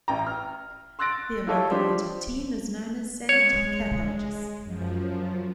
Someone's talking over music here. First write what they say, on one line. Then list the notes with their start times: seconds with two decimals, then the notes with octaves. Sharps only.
The amalgamated team is known as Saint Carthages.
0.08 A1 G5 A#5
0.27 F6
0.99 C6 E6 F#6 A6 A#6 D7
1.47 E4 F4 G4 A4 C#5 D#5
1.70 F3 G3 D4 G4 C5
3.29 G#3 C#5
4.63 F#2 F3